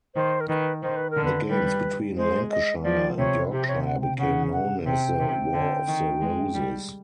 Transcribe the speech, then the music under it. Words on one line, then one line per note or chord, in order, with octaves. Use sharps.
The games between Lancashire and Yorkshire became known as the "War of the Roses".
D#3 C5
A#4
D#3 B4
D#3 C5
B4
A#4
D3
B4
G3 B4
G#3 C5
D#5
F3 D5
C3 C#5
C3 G4
C#5
F#5
G5
C#3 F#5
F#5
C3 G5
C3
D3
D#3
G#3
G3